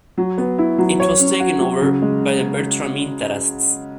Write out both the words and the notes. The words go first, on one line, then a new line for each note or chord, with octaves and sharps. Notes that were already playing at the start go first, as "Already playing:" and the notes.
It was taken over by the Bertram interests.
F#3
B3
E4
F#3
C#5
C#4
F#4
F#3
C#3
G#3